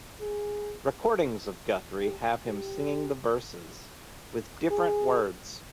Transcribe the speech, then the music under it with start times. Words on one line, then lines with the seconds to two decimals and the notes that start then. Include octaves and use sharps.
Recordings of Guthrie have him singing the verses with different words.
0.20 G#4
2.00 G4
2.46 G4
4.71 G#4